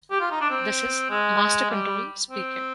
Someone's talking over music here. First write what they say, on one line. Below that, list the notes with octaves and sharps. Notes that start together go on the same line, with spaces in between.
This is "Master Control" speaking.
G4
F4
D#4
D4
C4
G#3
G3
C4